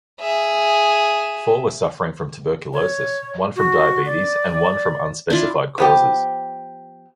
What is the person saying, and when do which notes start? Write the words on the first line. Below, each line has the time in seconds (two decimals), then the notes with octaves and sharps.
Four were suffering from tuberculosis, one from diabetes, and one from unspecified causes.
0.20 G#4 E5
2.73 C#5
3.56 F#4
4.06 D5
5.30 D4 E4 F4
5.78 F3 B3 G4